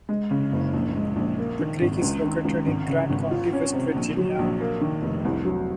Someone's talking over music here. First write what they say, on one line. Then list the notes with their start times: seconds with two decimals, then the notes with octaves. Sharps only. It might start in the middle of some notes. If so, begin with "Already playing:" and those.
The creek is located in Grant County, West Virginia.
0.09 G#3
0.31 C#3
0.52 F#1
0.73 A#1
0.96 G#3
1.16 A#1
1.39 A#3
1.59 D#3
1.81 G#1
2.02 C#2
2.24 D#3
2.45 C#2
2.67 G#1
2.88 C#3
3.10 G#1
3.31 F4
3.53 C#4
3.73 C3
3.96 A#1
4.17 F#3
4.39 A#1
4.60 A#3
4.81 D#3
5.02 F1
5.25 C2
5.45 F#3